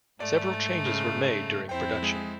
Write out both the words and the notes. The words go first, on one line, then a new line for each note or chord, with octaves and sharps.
Several changes were made during production.
G#2 A3 D5
C#3
F2 C4 E4 C5 G5
G#3 G#4